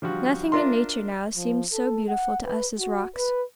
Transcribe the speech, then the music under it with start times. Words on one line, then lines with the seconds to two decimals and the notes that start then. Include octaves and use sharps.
Nothing in nature now seemed so beautiful to us as rocks.
0.02 D3 F3 G3 F#4
0.52 D4 F4 A#4 E5 C6
1.36 F3
1.73 A4
2.09 F#5
2.46 B4
2.78 F#4
3.16 B4